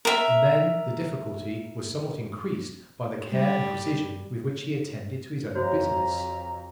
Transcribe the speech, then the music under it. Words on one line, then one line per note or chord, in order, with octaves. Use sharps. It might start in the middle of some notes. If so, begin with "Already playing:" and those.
And then the difficulty was somewhat increased by the care and precision with which he attended to his own business.
A#4 E5
G3
F2 F#4 C5 C#5 A#5